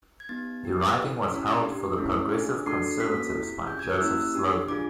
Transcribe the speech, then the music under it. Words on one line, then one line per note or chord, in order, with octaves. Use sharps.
The riding was held for the Progressive Conservatives by Joseph Slogan.
G#6
B3 D#4 G4 A6
C4 E4 G4
C4 E4 G#4
A3 C#4 E4 G4
D4 G4
A3 C#4 E4
D4 F4 G#4
A3 D4 F#4 A4 C7
A#3 C#4 F#4 A4 B6
C4 E4 G4
C#4 F4 G#4 G6
G#6
F#6
A#3 C#4 E4 G4 E6
D4 G4
D4 F4 G#4 D6